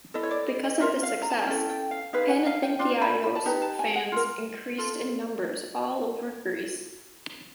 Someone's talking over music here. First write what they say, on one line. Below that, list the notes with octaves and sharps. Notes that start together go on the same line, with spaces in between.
Because of this success, Panathinaikos fans increased in numbers all over Greece.
E4 A4 D#5
C#5
D5
D#5
D#5
C#4 F4 A#4 E5
F5
A#5
A5
G#5
C#4 E4 A4 G5
G5
F5
D#4 G#4 B4 F5
F#5
F5
G5
D4 F4
B5
B5
A5
D#4 G4 B4 A#5
A5
G#5
F#5
F4 A#4
F4 A4